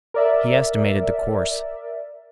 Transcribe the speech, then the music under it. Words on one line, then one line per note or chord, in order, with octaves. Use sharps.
He estimated the course.
A#4 D5 E5